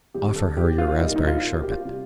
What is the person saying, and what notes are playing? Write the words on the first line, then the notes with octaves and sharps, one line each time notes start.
Offer her your raspberry sherbet.
F2 D3 G3 G4
A4
G4
F4
C2 A#2 G3 D#4
D#4
F4
F4
G4
F4
C3 G3